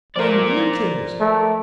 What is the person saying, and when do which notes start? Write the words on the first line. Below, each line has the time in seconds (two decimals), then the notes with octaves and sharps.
I'm really curious.
0.16 F3 A#4 D5
1.20 A3 D#5